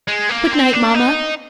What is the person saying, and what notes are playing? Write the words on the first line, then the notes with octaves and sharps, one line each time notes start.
Good night, Mama.
G#3
A#3
C4
D4
D#4